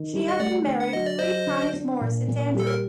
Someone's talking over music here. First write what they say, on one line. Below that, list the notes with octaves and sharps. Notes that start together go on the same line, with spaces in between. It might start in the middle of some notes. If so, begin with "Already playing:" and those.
She had been married three times more since Andrew.
Already playing: D#3
G3
D#5
A3 D5 F#5
D3
F#5
F#3 D#5
D5
F#3 C5 D#5
D3
D4
A#2
A#2
G3
A4
A#4